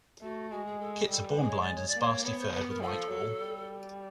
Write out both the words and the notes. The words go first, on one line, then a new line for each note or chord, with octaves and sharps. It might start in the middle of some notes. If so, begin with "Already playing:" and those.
Kits are born blind and sparsely furred with white wool.
A3 F#4
G#3 F#4
G#4
A4
G#4
G3 A4
B4
G#3
C#5
D5
C#5
D5
A#3
C#5
B3 C#5
C5
B3 B4
A#4
F3 A4
F#3
G3